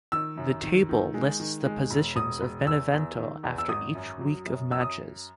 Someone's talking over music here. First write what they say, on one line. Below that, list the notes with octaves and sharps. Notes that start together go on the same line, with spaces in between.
The table lists the positions of Benevento after each week of matches.
D#3 E6
F#2
D#3
D#3
G#3
D#3
G#3
E1
E1 D#6
E1
E2 E6
E2
D#3
E2
E6
G#1 D#6
F#2
F#3
F#2
F#2 E6
D#6